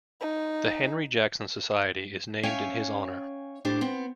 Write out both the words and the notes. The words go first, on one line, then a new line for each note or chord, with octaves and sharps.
The Henry Jackson Society is named in his honor.
D#4
C#4 C#5 E5 F5 G5 G#5
A2 D4 G4 C5
B3 C4